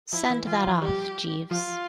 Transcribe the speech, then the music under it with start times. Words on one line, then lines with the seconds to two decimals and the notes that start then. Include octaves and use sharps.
Send that off, Jeeves.
0.12 F3 E4
0.30 E3
0.47 E3 F4
0.64 F3
0.82 G3 G4
1.51 F3 F4